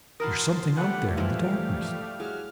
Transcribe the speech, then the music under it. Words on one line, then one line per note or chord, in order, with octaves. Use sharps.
"There is something out there in the darkness."
E3 F#4 A#4 A5 C6 D#6 F6
G3 A3 B3 G4 F#5
C3 E3 F3 G#3 E4 F5
F#3 E4 G#4 F6